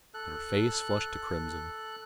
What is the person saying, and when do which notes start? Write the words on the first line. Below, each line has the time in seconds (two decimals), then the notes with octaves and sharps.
Her face flushed to crimson.
0.14 A4 F#6